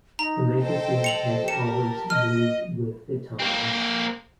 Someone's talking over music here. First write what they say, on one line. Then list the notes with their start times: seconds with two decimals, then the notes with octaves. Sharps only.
The magazine had always moved with the times.
0.19 D#4 A#5
0.60 A4 C5 D#5 G5
1.04 C#7 F7 F#7
1.48 G4 A#4 A5 C#7 E7
2.10 D#5 F6
3.40 A#3 C4